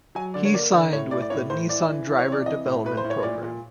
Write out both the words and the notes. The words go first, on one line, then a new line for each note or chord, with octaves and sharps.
He signed with the Nissan Driver Development Program.
F#3 G#5
D3 D5
C#5
A#3 D5
D3 D5
A2 C#5
A2 D5
D5
A2 C#5
A2 C5
E3 D5
E3
E3
C#5
C3 D5
E3 D#5
A2
A2 B4
C5
A2
C#5
A#2 D5
A#2